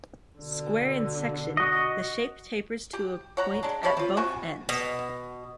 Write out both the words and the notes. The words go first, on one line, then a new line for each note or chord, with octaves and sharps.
Square in section, the shape tapers to a point at both ends.
B2 D3
F#4 D#5
G4
C#5 F#5 A#5
G#3 D4
C3 A3 C#5 B5
C4 F4
C3 F#4 G#5 C#6
B2